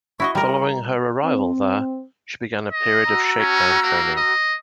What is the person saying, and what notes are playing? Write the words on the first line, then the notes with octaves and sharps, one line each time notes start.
Following her arrival there, she began a period of shakedown training.
E4 F#4 D#5 C#6
G3 A#4 A#5
C4
D#5
F#4 A#5 E6
C#4
A#3
D#5